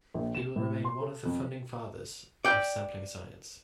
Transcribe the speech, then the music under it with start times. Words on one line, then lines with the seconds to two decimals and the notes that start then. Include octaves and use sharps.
He will remain one of the funding fathers of sampling science.
0.14 A#1
0.35 E7
0.56 A2
0.84 C6
1.01 A4
1.25 F2
2.45 D5 G5